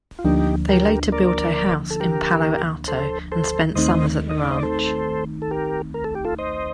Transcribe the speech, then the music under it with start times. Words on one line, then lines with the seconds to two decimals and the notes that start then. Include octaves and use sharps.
They later built a house in Palo Alto and spent summers at the ranch.
0.19 F4
0.25 D2 D3 F3 A#3 D4 D#4 G4
0.69 G4 A#4
1.12 A#4 D5
1.90 A4
2.00 G4 A#4
2.88 A4 C5
3.32 A4 C5
3.75 D#2 D#3 A3 C4 D#4 C5 D#5
4.29 D#5
4.40 D5
4.50 C5 D#5
4.57 D5
4.63 A4 C5
5.42 A4
5.51 G4 A#4
5.94 A#4
6.04 A4
6.15 G4
6.25 F4 A4
6.38 C5 D#5